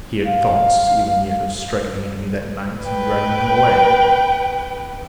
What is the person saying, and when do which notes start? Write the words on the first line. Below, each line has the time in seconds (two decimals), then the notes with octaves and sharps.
He had thoughts even yet of striking the enemy that night and driving him away.
0.25 F5
2.84 B4 G5